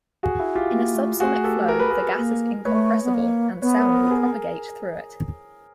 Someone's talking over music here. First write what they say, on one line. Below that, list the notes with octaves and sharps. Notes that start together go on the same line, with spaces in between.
In a subsonic flow the gas is incompressible, and sound will propagate through it.
F#4 G#4
E4 F#4
F4 G4
A3
A#3
A3
A3 F#4 G#4
G4 A4
A#4
B4
G#4 A#4
A#3
A3 B4 C#5
B3
A#3
B3 B4 C#5
A#4 C5
A#4 C5
G#4 A#4